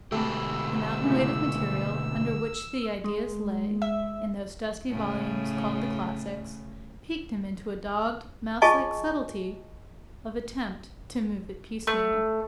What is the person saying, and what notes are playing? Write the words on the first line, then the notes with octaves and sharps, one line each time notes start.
The mountain-weight of material under which the ideas lay in those dusty volumes called the classics piqued him into a dogged, mouselike subtlety of attempt to move it piecemeal.
D2 B2 G#3 A3 G4 B5 E6
A2 C#3
G#3
E5
A2 C#3
F4 G#4 D#5 G#5 A5 C#6
A3